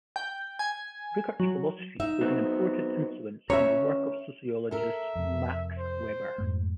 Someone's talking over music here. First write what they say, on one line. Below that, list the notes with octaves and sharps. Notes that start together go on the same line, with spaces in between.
Rickert's philosophy was an important influence on the work of sociologist Max Weber.
G5
G#5
F#3
D#4 E5
F#3 B3 C4
D2 C#4 C#5 E5 A#5
A4 A#4 E5
F2 C3
C5
F2 G#2 A3